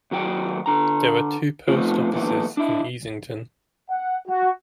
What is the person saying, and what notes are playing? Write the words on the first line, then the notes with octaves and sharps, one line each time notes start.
There were two post Offices in Easington.
D#2 F#3 F#4 G5
D3 A#5
F3 A3 B3 C4 F4
D3 E3 F#3 A#3 B3
D4 E4
F#5
F#4